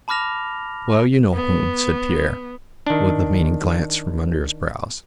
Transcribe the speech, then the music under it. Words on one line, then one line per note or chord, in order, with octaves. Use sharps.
"Well, you know whom," said Pierre, with a meaning glance from under his brows.
A5 B5 D6 F6 A#6 F7
B3
D#3 D4